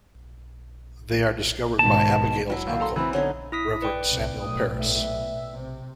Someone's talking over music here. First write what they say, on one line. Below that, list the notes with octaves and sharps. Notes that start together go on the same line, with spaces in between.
They are discovered by Abigail's uncle, Reverend Samuel Parris.
G#2 B2 D#3 A5
F#3 E4
D#2 F5
A4 A#5 C6
E3 C4 B5
D3 B3 D#4 C#5
E4 D#6 B6
B4 D5 G5
G1 C2
B1 A2 D#6
E5
C3